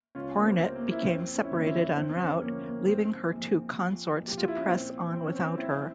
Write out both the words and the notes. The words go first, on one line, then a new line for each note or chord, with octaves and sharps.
"Hornet" became separated en route, leaving her two consorts to press on without her.
C#2 C#4 F4
A#3
C4
C3 C4
A#3
E4
C#4
F2 C4
C#4
E4
G1 A#3 C#4
C4 E4
E2 C4
C#4
C4
F3 A#3 C#4
A#3
G#2 C4
A#1
F3
A#1
G4
F4
E4
C#4
A#2 C4
A#1 C4
C#4
C4
G#1 C4 E4